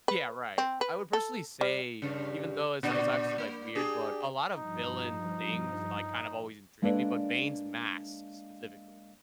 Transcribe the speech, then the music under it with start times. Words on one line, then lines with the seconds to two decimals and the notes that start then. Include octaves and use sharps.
Yeah, right. I would personally say, even though it's like it's obviously, like, weird, but a lot of villain things, like, kind of always intrigued me, but Bane's mask, specifically.
0.08 B4
0.58 C4
0.81 B4
1.13 A4
1.61 G3
2.02 G2 C#3
2.83 A#2 D4 D5
3.38 A#3
3.75 D4 G4 G#4
4.56 G2 F3 D#4
6.82 G#3 A#3 D4 A4 B4 D5